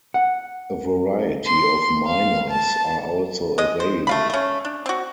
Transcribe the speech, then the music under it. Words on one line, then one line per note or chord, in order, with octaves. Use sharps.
A variety of minors are also available.
F#5
C6
F5
A5
G#3 D#5
C5
A3 F5 B5
A3 C#4
D4
C4 F#4